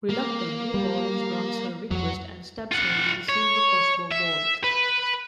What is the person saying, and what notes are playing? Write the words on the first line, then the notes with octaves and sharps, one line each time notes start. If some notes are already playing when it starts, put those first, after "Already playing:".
Reluctantly, Rawlins grants her request and stabs her with a silver crossbow bolt.
A#3
G3
F2 F#3 F#4
F4 F#5
C#5
E5
B4